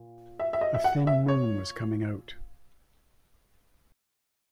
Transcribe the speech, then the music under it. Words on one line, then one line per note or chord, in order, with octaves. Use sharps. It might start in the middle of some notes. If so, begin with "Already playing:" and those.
A thin moon was coming out.
Already playing: A#2
E5
E5
D#5
E5
F#5
E5
C#5